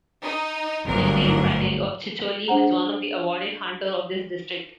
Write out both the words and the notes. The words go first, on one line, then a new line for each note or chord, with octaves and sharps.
Shivdeen Patel of Chicholi Was one of the awarded Hunter of this district.
D#4
G1 D2 G2 F#3 A#4
D4 C5 F#5 A#5